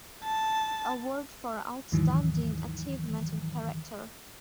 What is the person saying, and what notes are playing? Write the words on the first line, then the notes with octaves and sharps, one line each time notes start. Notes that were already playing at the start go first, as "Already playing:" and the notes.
Award for Outstanding Achievement in Character.
A5
D#2 G#2 D#3 E3 F#3